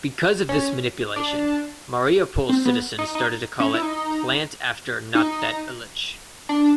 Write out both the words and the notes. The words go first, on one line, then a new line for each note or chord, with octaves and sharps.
Because of this manipulation, Mariupol citizens started to call it "Plant after not-that-Illich".
C#4
D4
C4
B3
D#4
D#4
C#4
E4
D#4
D#4
D4